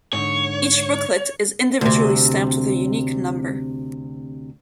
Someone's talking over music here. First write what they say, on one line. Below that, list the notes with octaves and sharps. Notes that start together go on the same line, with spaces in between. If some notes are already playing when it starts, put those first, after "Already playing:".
Each booklet is individually stamped with a unique number.
G#2 D3 C#5
D2 C3